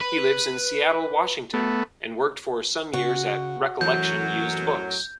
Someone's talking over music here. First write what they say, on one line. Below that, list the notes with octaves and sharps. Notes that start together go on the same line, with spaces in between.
He lives in Seattle, Washington, and worked for some years at Recollection Used Books.
B4
A3 B3
C#3 F#4
F#2 A2 E3 F#3 G6